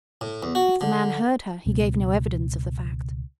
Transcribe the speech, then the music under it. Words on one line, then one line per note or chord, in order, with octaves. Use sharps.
If the man heard her he gave no evidence of the fact.
A2
E2
F#4
D3
C#2 B2 G3